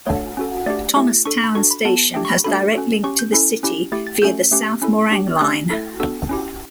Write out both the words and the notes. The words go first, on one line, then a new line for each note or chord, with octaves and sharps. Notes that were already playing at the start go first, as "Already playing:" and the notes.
Thomastown Station has direct link to the City via the South Morang Line.
A3 D4 A4 C#5
C#4 F#4 A4
A3 D4 G4 D5
A3 E4 G4
D4 A4 C#6
B5
D4 F#4 A4 C#6
B5
B3 F#4 A4 A5
A3 D4 G4 G5
C#6
B5
A3 D4 F#4 A4 B5
C#4 F#4 A4
C#4 G4 C#6
G6
C#4 E4 A4
C#4 E4 G4
A3 E4 G4 A6
A6
A3 C#4 F#4 A4 G6
A3 C#4 G4
C#4 E4 A4
D4 G4
A3 C#4 G4 F#6
A3 E4 A4
B3 D4 F#4 A4 E6
C#4 E4 G4